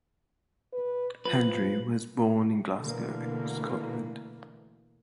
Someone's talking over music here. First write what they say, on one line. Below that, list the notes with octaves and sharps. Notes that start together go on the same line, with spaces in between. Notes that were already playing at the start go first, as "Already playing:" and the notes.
Hendry was born in Glasgow, Scotland.
B4
F3 B4
B2 D3 E3 A3 A#3